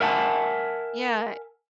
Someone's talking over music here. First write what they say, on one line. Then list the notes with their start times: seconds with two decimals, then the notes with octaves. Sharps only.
Yeah, eh
0.01 A#4 E5 F#5 G#5 A5